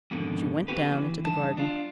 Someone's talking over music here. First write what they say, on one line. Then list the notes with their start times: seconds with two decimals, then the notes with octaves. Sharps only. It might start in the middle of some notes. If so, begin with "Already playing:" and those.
She went down into the garden.
0.11 F2 G#2 B2 D3 D#3
0.68 A#3 C4 F#4 G4 B4
0.92 E3
1.25 G2 D#4 A5
1.57 D4 F4